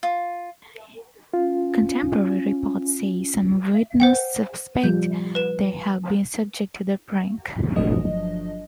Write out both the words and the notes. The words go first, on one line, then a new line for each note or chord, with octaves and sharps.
Contemporary reporters say some witnesses suspect they had been subject to a prank.
F4
C#4 F4
C5 F#5 G5
F3 G3 G6
B4 E7
G1 F3 F#3 A3 D4 D#5